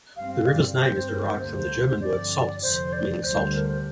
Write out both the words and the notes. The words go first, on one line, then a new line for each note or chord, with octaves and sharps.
The river's name is derived from the German word "Salz", meaning salt.
G1 G2 G3 C4 F5
F5
D5
G2 G3 C4 C5
A#4
C5
D2 D3 G3 A#3 C5
G2 D3 F3 C4 D5
F1 F2 D3 C5
D5
D2 D3 G3 C5
A#4
C5